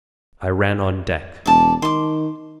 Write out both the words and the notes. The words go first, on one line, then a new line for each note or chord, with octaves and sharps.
I ran on deck.
E1 D5 A5
D#3 C6 D6